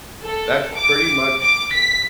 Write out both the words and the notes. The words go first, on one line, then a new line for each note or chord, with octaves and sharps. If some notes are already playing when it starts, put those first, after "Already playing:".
That's pretty much
A4
D6
D6
B6